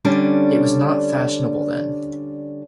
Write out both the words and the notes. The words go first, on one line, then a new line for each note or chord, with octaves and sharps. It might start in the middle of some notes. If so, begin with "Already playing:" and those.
It was not fashionable then.
D3 G3 C#4 D4